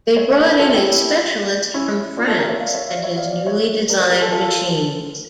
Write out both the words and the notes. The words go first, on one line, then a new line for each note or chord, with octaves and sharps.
They brought in a specialist from France and his newly designed machines.
C#5 E5
C#5 E5
A4 C#5
F4 A4
E4 G4
C#4 E4
D4 F4
F4 A4
G4 A#4
C#5 E5
D5 F5
C#5 E5
D5 F5
C#5 E5
D5 F5
D5 F5
C#5 E5
A#4 D5
A4 C#5
G4 A#4
F4 A4
F4 A4